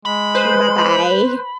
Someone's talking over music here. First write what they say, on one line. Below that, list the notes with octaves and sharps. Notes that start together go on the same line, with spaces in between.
M Bye-bye.
G#3 B5
B4 C5